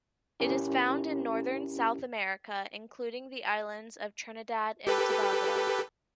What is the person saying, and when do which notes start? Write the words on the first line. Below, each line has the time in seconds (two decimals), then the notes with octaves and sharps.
It is found in northern South America, including the islands of Trinidad and Tobago.
0.40 C#4 E4 G4 A#4
4.87 G4 A4 B4